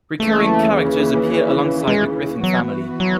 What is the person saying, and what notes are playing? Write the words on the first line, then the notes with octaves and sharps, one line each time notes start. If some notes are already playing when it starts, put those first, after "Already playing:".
Recurring characters appear alongside the Griffin family.
D#2 C#3 E3 A3
G#3
E3 F#3 B3 F#4 B4
F#3